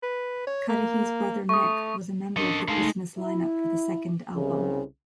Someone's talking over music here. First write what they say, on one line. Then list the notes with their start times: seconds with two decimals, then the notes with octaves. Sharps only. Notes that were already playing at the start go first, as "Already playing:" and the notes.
Cudahy's brother Nick was a member of the Christmas lineup for the second album.
0.03 B4
0.47 C#5
0.69 A#3
1.49 A3 C#6 D#6
2.37 C#4 D4 A4 A#4 D#5
2.68 G#3 A3 D#4 A4 F5
3.18 E4
4.35 C2 C#3